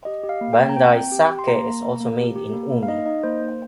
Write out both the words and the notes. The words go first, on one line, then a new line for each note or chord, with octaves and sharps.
Ban-dai sake is also made in Umi.
G4 D#5
G4
F5
A#3
G5
A#3
A#5
C4 G5
C4
G4
G4
C6
A#3 A#5
A#3
A#3
A#3
G4
G4
A#3
A#3
F5
D#4 D#5
D#4 D#5
A#3 C5
A#3